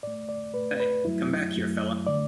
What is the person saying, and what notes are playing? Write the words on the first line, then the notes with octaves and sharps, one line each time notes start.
Hey, come back here, fella!
A2 A3 D5
D5
A2 A3 B4
B4
F#2 F#3 A3 E4
F#2 F#3 A3
D3 A3 D5